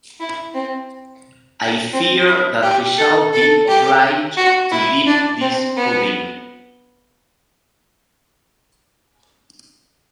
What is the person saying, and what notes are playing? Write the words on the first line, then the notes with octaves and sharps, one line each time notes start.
I fear that we shall be obliged to leave this pudding.
E4
C4
C4
E4
G4
A4
A4
G4
F#4
E4
D4
C4
B3